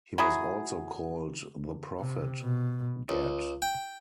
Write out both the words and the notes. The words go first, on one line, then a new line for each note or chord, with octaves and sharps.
He was also called the Prophet Gad.
F#3 E4 F#4 G#4
C3
B2
C#2
G5